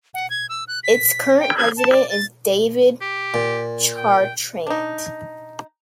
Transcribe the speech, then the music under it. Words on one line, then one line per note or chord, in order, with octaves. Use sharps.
Its current president is David Chartrand.
F#5
G#6
E6
F#6
B6
G5
G#6
A5
D5
A6
G4
A#2
G5
D4 D#4